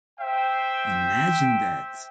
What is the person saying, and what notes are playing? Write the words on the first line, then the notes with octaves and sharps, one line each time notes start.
Imagine That!
C5 E5 G5